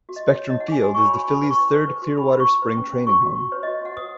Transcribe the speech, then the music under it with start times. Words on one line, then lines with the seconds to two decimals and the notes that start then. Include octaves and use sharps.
Spectrum Field is the Phillies' third Clearwater spring-training home.
0.09 F#4
0.16 D#5
0.23 F#4 C#5
0.39 C#5
0.50 D#4 D#5
0.60 F#5
0.68 G#4 G#5
0.83 F#4 G#5
0.94 C#5 C#6
1.05 B5
1.13 F#4 G#5
1.28 D#4 B5
1.43 B4
1.50 C#6
1.58 D#4
1.73 B4
1.87 B4
2.02 F#4
2.17 D#4 B5
2.32 D#4
2.40 C#6
2.47 D#4
2.62 B4
2.77 C#4
2.92 C#4
3.07 F#4 C#6
3.22 F#4
3.37 F#4
3.52 B4 C#5
3.63 F#4 D#5
3.82 F#4 F#5
3.96 B4 D#6